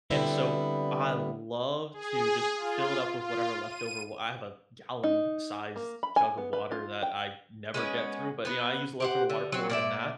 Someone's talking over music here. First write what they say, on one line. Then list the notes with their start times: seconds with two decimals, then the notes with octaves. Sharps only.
and so I love to just fill it up with whatever leftover wa I have a gallon-sized jug of water that I never get through, but, you know, I use the leftover water poured in that,
0.10 D3 G3 B3 C4 E4
1.93 G#4
2.57 F4
3.19 F4
3.63 D#7
5.04 D#4
5.76 A#3
6.03 B5
6.16 G#5
6.38 B3
6.53 B4
6.72 F4
7.03 G5
7.74 G#3 B3 C#4
8.45 B3 B4
9.00 G4 C5 F#5
9.30 D3
9.52 F#3 C4
9.70 A#2 D5 E5